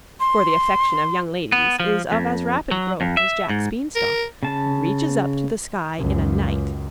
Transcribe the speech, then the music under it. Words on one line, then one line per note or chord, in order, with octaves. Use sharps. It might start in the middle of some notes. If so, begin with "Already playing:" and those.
For the affection of young ladies is of as rapid growth as Jack's bean-stalk, and reaches up to the sky in a night.
C6
B3
F3
F2
F#3
F2
E5
G#2
A#4
C#3 A5
C#2 F#2